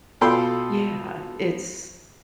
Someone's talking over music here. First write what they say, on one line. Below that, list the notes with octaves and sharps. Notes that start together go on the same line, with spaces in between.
Yeah, it's
B2 F4 A4 B4 G5 C6